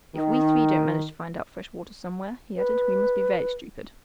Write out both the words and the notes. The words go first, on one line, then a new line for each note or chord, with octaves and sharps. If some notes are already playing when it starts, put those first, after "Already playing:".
"If we three don't manage to find out fresh water somewhere," he added, "we must be very stupid."
D#3
B4